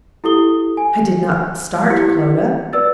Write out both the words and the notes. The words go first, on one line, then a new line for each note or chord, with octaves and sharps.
I did not start, Clodagh!
E4 G4 A4 D#6 G7
G#5
E4 G4 B6 C#7
B4 D5 E6 A6